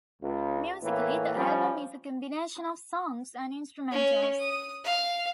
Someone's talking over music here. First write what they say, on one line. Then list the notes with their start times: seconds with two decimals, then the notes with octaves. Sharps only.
Musically, the album is a combination of songs and instrumentals.
0.22 C#2
0.83 A2 E3 A#3
1.36 F3 G3 C#4
3.91 C#4
4.39 D#6
4.84 F5